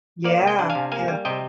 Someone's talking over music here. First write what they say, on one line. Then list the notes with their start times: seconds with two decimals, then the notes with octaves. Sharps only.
Yeah. Yeah.
0.24 A#3 D5 F5
0.42 C3
0.47 D#5 G5
0.59 D4
0.70 F5 G#5
0.75 C3
0.92 A#3 F5 G#5
1.08 G3
1.25 C3 D#5 G5